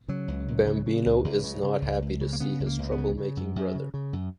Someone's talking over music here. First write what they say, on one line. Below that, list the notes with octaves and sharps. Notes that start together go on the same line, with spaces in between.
Bambino is not happy to see his trouble-making brother.
C#3 F#3
C#2
C#2
C#3
C#3
C#2
C#2
C#3
C#3
C#2
C#2
C#3
A#3
C#3 B3
C#2
A#3
C#2
B3
C#3
C#3
F#2
F#2
C#3
C#3
F#2